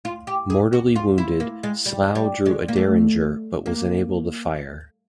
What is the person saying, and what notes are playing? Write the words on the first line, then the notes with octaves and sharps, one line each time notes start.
Mortally wounded, Slough drew a derringer but was unable to fire.
F4
G4
G#4
F#4
F4
E4
A#3
G#3
G3
G3
G#3
A#3
A3
A#3